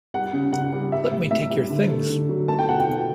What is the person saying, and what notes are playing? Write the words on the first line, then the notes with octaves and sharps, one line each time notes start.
Let me take your things.
G3 F#5
C#3
C#3 F#5
G3
G3 E5
A2
A2 E5
G3
D3
A3
D3
F#3
A3 A5
G5
B2 F#5
G5
B2